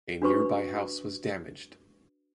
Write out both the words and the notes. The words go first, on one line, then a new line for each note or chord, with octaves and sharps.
A nearby house was damaged.
D4 F#4 B4 C#6